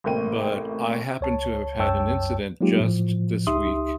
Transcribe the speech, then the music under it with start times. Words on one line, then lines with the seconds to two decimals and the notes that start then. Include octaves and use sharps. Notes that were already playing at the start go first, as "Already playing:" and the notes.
but I happen to have had an incident just this week.
0.04 A1 A2 C3 A#3 G5 D#7
1.21 C#2 C#5 A5
1.79 C2 F#2 C#5 G5 A5 E6
2.61 F#3 G#3 A#3 D#4 F4 G4
2.80 A2 F3
3.47 C#2 D#4 G4 E5 C6 D#6